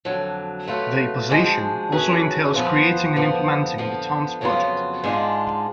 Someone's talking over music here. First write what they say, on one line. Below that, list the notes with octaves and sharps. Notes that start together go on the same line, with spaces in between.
The position also entails creating and implementing the town's budget.
F2 D3 F#3
F#3 A3 F4 B4
F3 G#3 D4 F#4
F#3 A3 C#4 G#4 B4
F3 B3 F4 B4
D3 F3 B3
D3 F3 B3
F2 C#3 F#3 B3 F4
G#2 G#3 D4 F4